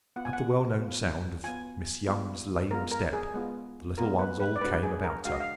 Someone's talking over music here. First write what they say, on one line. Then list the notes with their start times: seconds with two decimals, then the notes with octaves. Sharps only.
At the well-known sound of Miss Young's lame step, the little ones all came about her.
0.16 B3 F4 F#5
0.25 G#5
0.33 F#5
0.79 B3 F4
1.43 B3 F4 G#5
2.07 G#3 B3 F4
2.71 G#3 B3 F4 A#4
2.92 A#4
3.13 G#4
3.34 G#3 B3 F4
3.98 G#3 B3 F4 A#4
4.19 B4
4.40 B4
4.56 D5
4.61 G#3 D4 F#4 B4
4.83 G#4
5.04 A#4
5.25 G#3 D4 F#4 F5
5.32 D#5
5.40 F5